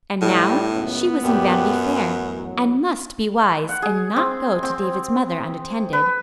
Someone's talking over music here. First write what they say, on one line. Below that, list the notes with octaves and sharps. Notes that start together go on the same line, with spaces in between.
And now she was in "Vanity Fair," and must be wise and not go to David's mother unattended.
A2 G3
C#2 F#2 B3
F#2 A#2 G4
A1 F#3
F#5
G#4
C4
C4
B4